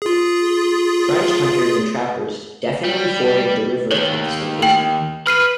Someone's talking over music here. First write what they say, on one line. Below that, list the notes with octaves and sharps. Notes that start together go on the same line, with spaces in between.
French hunters and trappers definitely forded the river at this location.
F4 G#4
G3
D#2 D#3 C#5
G5 F#7
B4 F6 C7 D#7